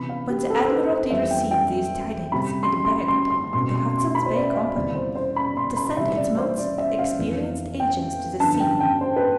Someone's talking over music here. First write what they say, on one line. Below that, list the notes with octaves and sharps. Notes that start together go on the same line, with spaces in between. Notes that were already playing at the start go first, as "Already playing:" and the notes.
When the Admiralty received these tidings it begged the Hudson's Bay Company to send its most experienced agents to the scene.
Already playing: C3 E3 B3 B5
F5
G4
A4
C5
B4
C5
F2 E3 G3 B3 E5
G5
G5
C3 G3 C4 B5
C6
C6
C6
C6
B2 A3 C4 C6
C6
C6
B5
C5
D5
E5
F5
E2 C3 G3 C4 D5
C5
C5
B5
C6
B5
C3 E3 G3 C4 E5
D5
C5
D5
E5
F5
F2 E3 B3
G5
G2 D3 F3 B3 A5
G5
G5
C5
B4